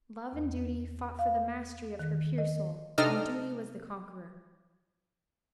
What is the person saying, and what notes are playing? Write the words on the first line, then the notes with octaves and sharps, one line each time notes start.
Love and Duty fought for the mastery of her pure Soul: and Duty was the conqueror.
E2
F5
D#3
D#5
C3 D4 D#4 A4 D#5 F6